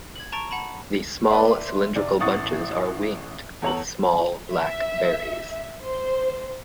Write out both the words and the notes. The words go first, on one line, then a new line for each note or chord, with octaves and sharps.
The small, cylindrical bunches are winged, with small black berries.
G#6 F#7
A5 A#5 C#6 A6 D7
F#5 A5 B5
B4 D5 E5 C6
F1 D5
A1 E3 F#5 C#6 D#6 A6
E2 A4 C#5 A#5 F#7
E5
C5